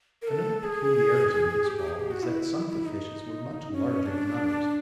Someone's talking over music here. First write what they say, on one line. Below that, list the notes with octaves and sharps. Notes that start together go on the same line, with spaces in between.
Another peculiarity of this fall is that some of the fishes were much larger than others.
A#4
A4
G#4
G4
G4
G#4
G4
F#4
E4
E4
D#4
C#4
D4